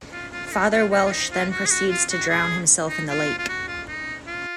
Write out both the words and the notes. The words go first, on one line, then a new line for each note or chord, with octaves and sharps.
Father Welsh then proceeds to drown himself in the lake.
F4
F4
F4
D#4
F4
D#4
F4
D#4
F4
F#4
G#4
F#4
F4
F#4
G#4
D#4
F4
F4
F#4
F4
D#4
F4